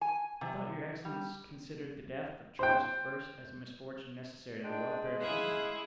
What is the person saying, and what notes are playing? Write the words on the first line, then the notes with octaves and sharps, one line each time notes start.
"I thought your excellence considered the death of Charles I. as a misfortune necessary to the welfare of England."
G#5
C3
G3
C5 G5
G#3 D4 G5
E4 G#4 F5 F#6